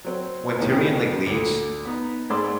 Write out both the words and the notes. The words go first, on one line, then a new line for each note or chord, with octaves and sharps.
when Tyrion, like, leaves,
F#3 C4
A2 D#3 G3 B3 G#4 G5
D2 D3
B3 D#4
G#2 C4 D5 C6 E6